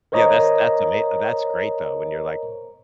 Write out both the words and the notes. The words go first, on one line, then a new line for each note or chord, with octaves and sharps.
Yeah. That's that's ama uh, that's great, though, when you're, like,
A#4 C5 C#5 D#5 A#5